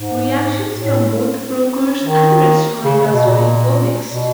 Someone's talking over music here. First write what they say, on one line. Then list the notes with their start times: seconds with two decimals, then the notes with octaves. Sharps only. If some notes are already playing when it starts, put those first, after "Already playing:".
Reactions from both brokers and the restaurant industry were mixed.
Already playing: G#2
0.77 A2
2.02 D#3
2.85 C#3
3.00 C#3
3.13 B2
3.26 A#2
4.11 B2